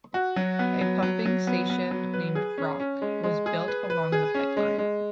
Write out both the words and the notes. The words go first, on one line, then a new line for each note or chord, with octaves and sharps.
A pumping station named "Rock" was built along the pipeline.
F#4
F#3
B3
F#3
F#3
F#3
B3
B3
F#3
B4
G#4
C#4
C#4
G#3
G#3
G#4
B4
B4
G#4
C#4
G#3
G#3